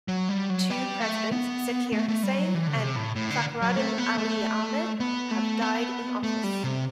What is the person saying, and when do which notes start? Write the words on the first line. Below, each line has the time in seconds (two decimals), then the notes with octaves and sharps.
Two presidents, Zakir Husain and Fakhruddin Ali Ahmed, have died in office.
0.08 F#3
0.29 G3
0.50 F#3
0.70 G3
1.01 A3
1.32 B3
1.92 A3
2.08 A3
2.23 G3
2.38 F#3
2.54 E3
2.67 D3
2.75 C3
2.96 A2
3.16 A2
3.31 D3
3.62 F#3
3.77 A3
3.98 B3
4.18 A3
5.00 B3
5.31 A3
5.61 B3
6.23 A3
6.44 G3
6.64 C3